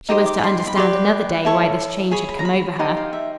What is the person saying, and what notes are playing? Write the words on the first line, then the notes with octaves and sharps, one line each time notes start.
She was to understand another day why this change had come over her.
D#4 G4 C5 D#5
D6
B5
C6
C6
B5
G4 B4 D5 C6
E4 A4 C#5
G#4 C#5 B5
B5
A#5
B5
B5
D#4 G4 C5 F#5
F5
E5